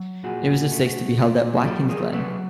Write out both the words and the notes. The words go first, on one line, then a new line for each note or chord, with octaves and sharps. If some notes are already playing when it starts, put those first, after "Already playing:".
It was the sixth to be held at Watkins Glen.
Already playing: F#3
A#2 F#4 G#4
A3
A#2
F#3 G4 A4
G#4 A#4
F#3 A4 B4